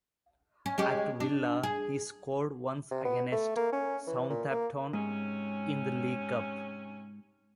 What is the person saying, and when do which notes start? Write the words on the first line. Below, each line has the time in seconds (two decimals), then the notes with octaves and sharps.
At Villa he scored once against Southampton in the League Cup.
0.66 C#4
0.78 G#3 C#4 G4
1.20 D4
1.63 G#4
2.91 C3
3.05 B3
3.32 A3
3.56 A#3
3.73 C#4
4.07 E3
4.30 A#2
4.50 A#3
4.93 G#2 C3 C#4